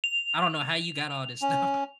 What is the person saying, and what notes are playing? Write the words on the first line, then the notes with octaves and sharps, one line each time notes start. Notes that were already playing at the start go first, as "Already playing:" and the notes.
I don't know how you got all this stuff
F7
C#4